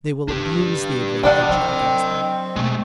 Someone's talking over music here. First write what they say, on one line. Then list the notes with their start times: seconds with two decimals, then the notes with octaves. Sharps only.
They will abuse the advantage it gives them.
0.28 D3 D4 G4
1.23 C3 G3 D4 D5 D#5 F#5 G5
1.49 F#3 C4
2.56 B2 G#3 A3